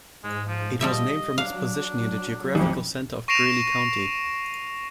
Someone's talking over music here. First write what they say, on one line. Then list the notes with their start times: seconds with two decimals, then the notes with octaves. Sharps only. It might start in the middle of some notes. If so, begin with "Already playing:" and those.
It was named from its position near the geographical center of Greeley county.
0.24 G#2 G#3
0.47 F3
0.81 F3 G3 D#5 E5
1.38 F#3 D4 F5
2.55 A1 F2
3.28 C#6 A#6 C7 D7 E7 F7